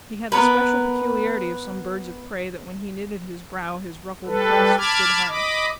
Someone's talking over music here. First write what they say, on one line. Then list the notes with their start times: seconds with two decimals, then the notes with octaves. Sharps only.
He had the special peculiarity of some birds of prey, that when he knitted his brow, his ruffled crest stood highest.
0.32 B3 A#4 B4
4.25 G3 A4 B4
4.77 A5 B5 D6 F6 G#6
5.28 D#5 B5 D6